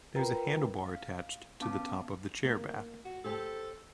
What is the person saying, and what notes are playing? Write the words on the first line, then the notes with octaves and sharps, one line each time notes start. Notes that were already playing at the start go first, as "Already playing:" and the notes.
There is a handlebar attached to the top of the chair back.
F4 A#4 B4 G5 A#5
F5
B3 C#4 F5 A5 D6
A#3
F#4
G4 A4 C5 G5